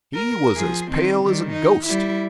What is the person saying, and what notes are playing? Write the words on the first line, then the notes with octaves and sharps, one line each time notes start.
He was as pale as a ghost.
A#4
F3 G#4
D#3 C4
D#3 G3
D#4
G3 E4